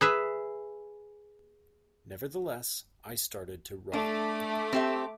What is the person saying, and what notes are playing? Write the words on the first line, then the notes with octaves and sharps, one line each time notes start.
Nevertheless I started to run.
G#4 B4 E5
A3 D4 D6
C4 G4 E5